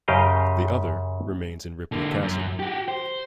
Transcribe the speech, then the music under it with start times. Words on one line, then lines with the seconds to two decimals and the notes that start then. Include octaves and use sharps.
The other remains in Ripley Castle.
0.08 F#2 C#3 G4 D#5 F5 G5
1.92 D3 A#3
2.22 F#2
2.59 F#4 G4
2.88 C5